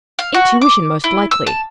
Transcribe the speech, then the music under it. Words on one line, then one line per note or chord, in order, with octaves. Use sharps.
'Intuition, most likely.'
F5
F#4
D6
E4
E6
A5